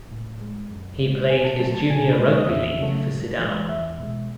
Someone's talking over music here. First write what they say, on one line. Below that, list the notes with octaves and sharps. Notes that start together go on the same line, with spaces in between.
He played his junior rugby league for Siddal.
A2
G#3
F#2
C#3 G#3
B2 G#5
A5
F#3 A3 A5
A5
B2 G#5
B4
G#3
C#5
D#5
E2 E5
C#3 F#3 A3
G#2
E3 G#3
E2 E5
B2 G#3